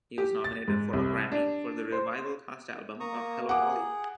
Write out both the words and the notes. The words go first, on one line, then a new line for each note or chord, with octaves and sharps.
He was nominated for a Grammy for the revival cast album of "Hello, Dolly!".
G4
A6
G#2
C2
D4
C5
A#3 A#5 C#6 D#6
G#4 F#5 D6